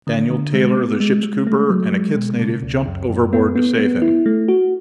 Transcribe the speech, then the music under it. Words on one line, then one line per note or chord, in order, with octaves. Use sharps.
Daniel Taylor, the ship's cooper, and a Kitts native jumped overboard to save him.
D3
D3
G#3
B3
G#3
G#3
A3
F#3
G#3
B2
C#3
C#2
F#2
F#2
B3
B3
B3
E4
A3
F#4